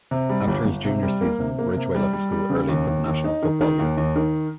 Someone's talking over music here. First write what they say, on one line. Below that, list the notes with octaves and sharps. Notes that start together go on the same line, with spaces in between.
After his junior season, Ridgeway left school early for the National Football League.
C3
G3
G1
G1
C3
G3
A#3
C3
A#3
C3
G3
G3
G3
C#3
D#2
D#2
D#2
D#4
D#3
D#3
D#2
D#2
D#3